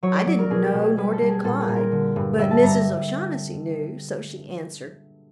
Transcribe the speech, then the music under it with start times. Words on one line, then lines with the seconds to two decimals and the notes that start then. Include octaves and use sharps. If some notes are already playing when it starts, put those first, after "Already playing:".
I didn't know nor did Clyde, but Mrs. O'Shaughnessy knew, so she answered.
0.03 F#3 C#5
0.15 D5
0.26 F#3 D5
0.39 A#4
0.50 B2 G#4
0.66 G4
0.74 B2
0.82 G#4
0.97 G3 B4
1.13 A4
1.21 G3
1.29 G#4
1.44 A#2 A4
1.60 G#4
1.68 A#2
1.76 A#4
1.92 D3
2.16 G2
2.39 G3 E5
2.51 A5
2.63 G2 A#5